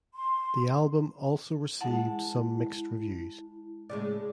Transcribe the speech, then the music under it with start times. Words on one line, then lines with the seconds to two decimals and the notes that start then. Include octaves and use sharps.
The album also received some mixed reviews.
0.14 C6
1.81 G#3 E4 F#5 A5
3.89 A2 C#3 G#3 D5